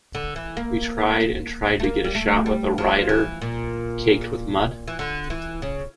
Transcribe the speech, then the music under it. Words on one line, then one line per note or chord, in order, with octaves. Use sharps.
We tried and tried to get a shot with a rider caked with mud.
D3
E3
A#3
A3
A#3
G3
A3
G3
F3
E3
A#2
E3
D3
E3
C#3